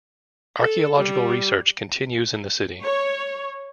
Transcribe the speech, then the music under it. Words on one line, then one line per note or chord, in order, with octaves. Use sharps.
Archaeological research continues in the city.
A4
G3
C#5